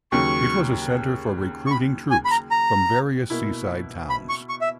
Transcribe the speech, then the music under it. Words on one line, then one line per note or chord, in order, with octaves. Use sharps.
It was a center for recruiting troops from various seaside towns.
D#2 C#3 F#3 C#6
C#6
B5
G#5
B5
A#5
A#5
B2 A#3 E4
B5
C#6
C#6
E5